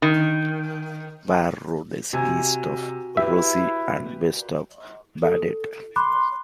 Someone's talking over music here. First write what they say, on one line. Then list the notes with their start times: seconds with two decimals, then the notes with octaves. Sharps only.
Warroad is east of Roseau and west of Baudette.
0.02 D#3
2.13 C3 F#4 G#5 A#5
3.17 E4 G4 B4 E5
5.22 A4
5.96 B5 C6 D6 F#6